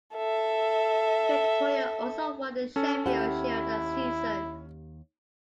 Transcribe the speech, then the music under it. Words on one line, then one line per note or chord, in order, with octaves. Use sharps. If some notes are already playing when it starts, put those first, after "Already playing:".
Victoria also won the Sheffield Shield that season.
A4 E5
C#4 A4
D#2 E4 G4 F#5